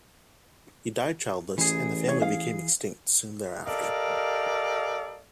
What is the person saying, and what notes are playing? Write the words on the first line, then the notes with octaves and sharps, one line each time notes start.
He died childless, and the family became extinct soon thereafter.
A1 E3 G#4
C#5
F5
G4 A4 A#4 D5 D#5 F5